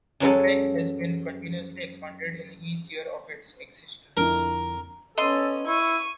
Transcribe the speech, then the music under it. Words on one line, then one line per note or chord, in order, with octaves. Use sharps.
The track has been continuously expanded in each year of its existence.
F#2 F#3 G#3 A4
F2 D3 E4 A#4
B3 C#4 A4 D#5 C6
E4 C#6 D#7